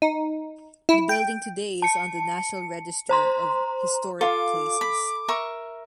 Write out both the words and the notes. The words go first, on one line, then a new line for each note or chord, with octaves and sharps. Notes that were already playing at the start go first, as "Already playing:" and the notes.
The building today is on the National Register of Historic Places.
D#4
E4
G5
A5 C#7
C5 A#5 C6
F4 A4 F5 D6
B5
A#4 E5 C#6